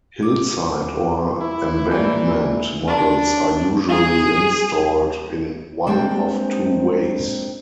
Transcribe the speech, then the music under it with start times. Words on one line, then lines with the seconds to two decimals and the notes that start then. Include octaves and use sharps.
Hillside or embankment models are usually installed in one of two ways.
0.23 D6
1.41 E4
1.90 E3 A#3 D5
2.87 D4
3.88 G#4
5.87 G#3 A#3 C4 D4 G4 G5